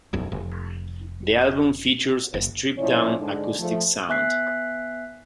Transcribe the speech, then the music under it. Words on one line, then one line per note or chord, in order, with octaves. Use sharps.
The album features a stripped down, acoustic sound.
E1 B1 F#2
F1
F#1
A2 F3 C#4 E4 C#5 D5
G#2 D3 G#3 D4
F3 A3
B3 E5 G#5 F#6 B6 C7